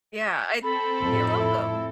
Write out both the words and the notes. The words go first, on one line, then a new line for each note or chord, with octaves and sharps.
Yeah. I d you're welcome.
C4 A4 B5
F2 A2
E4